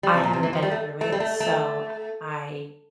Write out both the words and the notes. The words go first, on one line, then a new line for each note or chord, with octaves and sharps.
I haven't been through it, so I
G3
C3
A#2
C3
E3
F3
G3
A3
A3
G3
A3
A3